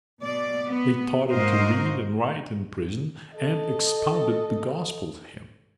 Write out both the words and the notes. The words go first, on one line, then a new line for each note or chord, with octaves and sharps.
They taught him to read and write in prison, and expounded the Gospel to him.
B2 D5
B3
G#2 F#4 A#4 C5 D#5 F5
A4 D#5